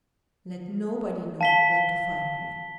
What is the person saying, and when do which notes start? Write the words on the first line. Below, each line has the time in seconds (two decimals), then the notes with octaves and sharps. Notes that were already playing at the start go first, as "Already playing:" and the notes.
"Let nobody know where to find me."
1.41 F5 A5 B6 G7